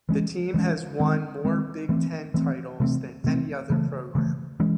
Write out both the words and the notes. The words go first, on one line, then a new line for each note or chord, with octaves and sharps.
The team has won more Big Ten titles than any other program.
E3 G#3 C#4
E3 G#3 C#4
D#3 G#3 C4
D#3 G#3 C4
E3 A3 C4
E3 A3 C4
C3 E3 A3 C4
C3 E3 A3 C4
C#3 E3 A3
C#3 E3 A3
E3 G#3 C#4